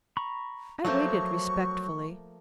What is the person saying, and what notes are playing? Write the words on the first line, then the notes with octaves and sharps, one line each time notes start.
I waited respectfully.
A#5 B5 C#6
F3 F#3 A3 A#3 C5 C#6